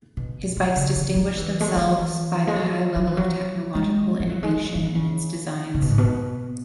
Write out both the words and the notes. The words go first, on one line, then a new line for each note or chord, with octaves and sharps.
His bikes distinguished themselves by the high level of technological innovation in its designs.
B2
F#3
C#3
E3
F#3
E3
G#3
F#3
E3
G#3
F#3
F#3
E3
F#3
G#3
G#3
F#3
G#3
G#3
F#3
F#3
F#3
C#3
C#3
B2
G#2
B2